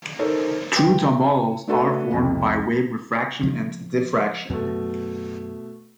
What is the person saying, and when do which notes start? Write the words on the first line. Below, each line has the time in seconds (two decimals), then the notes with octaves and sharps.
True tombolos are formed by wave refraction and diffraction.
0.19 D#4 A4 A#4 C5 C#5
0.76 B4 G5
1.24 C#5
1.68 A3 D4 F#4 A4 B4
2.12 C2 F2
3.43 F3 G#3 A#3
4.50 F#2 B2 F#3 A3